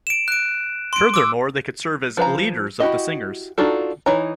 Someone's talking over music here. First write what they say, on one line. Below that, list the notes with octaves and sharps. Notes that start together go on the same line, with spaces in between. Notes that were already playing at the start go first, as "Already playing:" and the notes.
Furthermore, they could serve as "leaders" of the Singers.
D7 E7
F#6 D7
C6 D7
D6 E6
F3 B4 F5 A#5
E4 F#4 G4 D#5
D4 D#4 F4 F#4 A4
E3 D#4 C#5 A#5